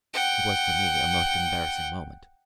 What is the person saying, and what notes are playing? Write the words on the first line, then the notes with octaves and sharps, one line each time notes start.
It was for me a most embarrassing moment.
F#5 G5